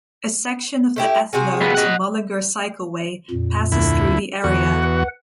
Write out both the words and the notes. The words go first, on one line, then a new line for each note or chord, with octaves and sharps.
A section of the Athlone to Mullingar Cycleway passes through the area.
A3 E4 G4
C3 F#4 G#4
F2 B3
D#5 F#5
F2 A#2
D2 E4
E2 D3 F#4
B4 F#5